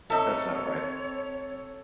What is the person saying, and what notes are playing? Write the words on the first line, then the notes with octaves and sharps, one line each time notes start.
That's not right.
C4 D#4 A4 C#5 E5